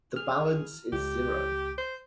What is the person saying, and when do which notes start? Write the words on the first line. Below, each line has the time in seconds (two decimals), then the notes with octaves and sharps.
The balance is zero.
0.16 G#4 F6
0.92 C#2 G4
1.78 C5